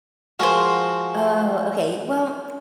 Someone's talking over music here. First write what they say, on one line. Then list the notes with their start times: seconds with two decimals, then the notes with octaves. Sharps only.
Oh, okay. Well,
0.40 F3 G#3 F#4 A#4 C5